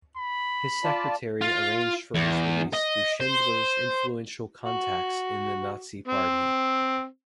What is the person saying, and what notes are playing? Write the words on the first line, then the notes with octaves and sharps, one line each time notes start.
His secretary arranged for his release through Schindler's influential contacts in the Nazi Party.
B5
F4 D5 A5
F4
E2
D#5
C5
F#4
C4